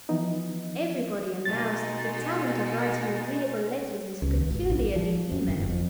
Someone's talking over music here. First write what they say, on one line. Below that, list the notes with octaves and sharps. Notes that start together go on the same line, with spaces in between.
Everybody allows that the talent of writing agreeable letters is peculiarly female.
E3 F3 B3 D#4
B2 G#3 D#4 A6
C#2
D#2
G#1
A#1
F3
F#2
G1
F2